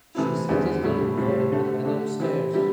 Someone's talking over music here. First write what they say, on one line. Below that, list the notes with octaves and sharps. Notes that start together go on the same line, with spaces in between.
She set his dinner before him, and went upstairs.
C3 E3 A3 C4 E4
E2 D3 G3 C4 G4
A2 G3 E4
A2 G3 C4 G4
D3 A3 C4 G4
D3 A3 D4 G4
E3 C4 E4 G4
D3 G3 E4 G4